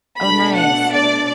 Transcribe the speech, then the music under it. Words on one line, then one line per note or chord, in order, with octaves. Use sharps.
Oh, nice.
B2 A3 D4 B5
F#5
D5